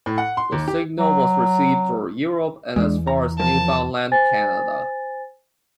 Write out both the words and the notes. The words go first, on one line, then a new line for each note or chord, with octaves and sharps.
The signal was received throughout Europe and as far as Newfoundland, Canada.
A2
F#5
C6
D#2
G4
F#3
E2 E3 G#3 D4
A#5
F3 A#4 A5
C5 G#5 A6